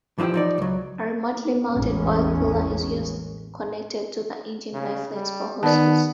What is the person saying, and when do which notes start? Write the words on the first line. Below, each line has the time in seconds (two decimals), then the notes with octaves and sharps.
A remotely mounted oil cooler is used, connected to the engine by flexible hoses.
0.18 E3 F3 D#4 E4 G4
0.34 F3 D#4 D5
0.58 C#2 F#3
1.70 A1 E2 A2 G#3 C#4
4.73 C#3
5.13 G3
5.63 D#3 B3 D5 A5